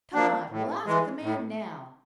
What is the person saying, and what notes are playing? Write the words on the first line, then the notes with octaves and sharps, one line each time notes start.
"Come on, we'll ask the man now."
F3 A#3 D4
A2
E3 G#3
A2